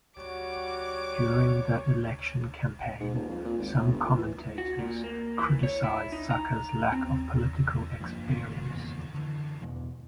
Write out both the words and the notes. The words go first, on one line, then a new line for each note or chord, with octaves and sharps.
During the election campaign, some commentators criticized Saca's lack of political experience.
G3 F#4 C#5 D6
G#2
D#1
F2
A#2
G#1
A2
G1
A#2
E3
F#4
A#2
A#3
E3
C#5
E4
D#4
A#5
C4
G2 F3 A#3
G#1 G2 C#3
D#1 E2 A#2 C#3
D3 E3
E2 G2 B2 E3